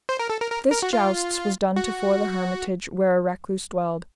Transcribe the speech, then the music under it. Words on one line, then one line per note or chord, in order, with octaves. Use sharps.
This jousts was done to-fore the hermitage where a recluse dwelled.
C5
A#4
A4
A#4
A#4
A#4
F#4
F4
F#4